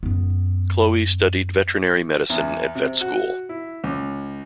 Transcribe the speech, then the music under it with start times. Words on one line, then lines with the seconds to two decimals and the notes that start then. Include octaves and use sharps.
Chloe studied veterinary medicine at Vet School.
0.03 F#2 B3
2.30 E2
2.75 C3
3.01 F#4
3.49 E4
3.84 C#2